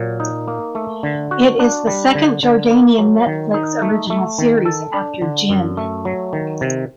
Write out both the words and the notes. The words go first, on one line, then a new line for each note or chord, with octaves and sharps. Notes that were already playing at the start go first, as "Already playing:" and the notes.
It is the second Jordanian Netflix original series after "Jinn".
Already playing: A#2 F#3
D#4
A#3
A3
D3
F#4
D4
G3
D3
D3
A#3
F#3
D#3
D#4
A3
A3
D#3
A4
D4
D3
F#2
A3
F#3
D#3
C3